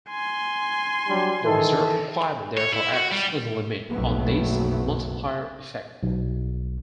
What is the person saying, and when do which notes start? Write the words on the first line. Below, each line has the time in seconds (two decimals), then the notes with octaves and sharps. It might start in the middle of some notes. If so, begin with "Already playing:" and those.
The reserve requirement therefore acts as a limit on this multiplier effect.
0.10 G#5 C6
1.07 F#3 G3 D4
1.44 D#3 E3 A4
2.57 C#5
2.73 E4
2.94 F#4
3.12 G3
3.89 F#1 B1 F2 F#3 A3 B3
6.03 B1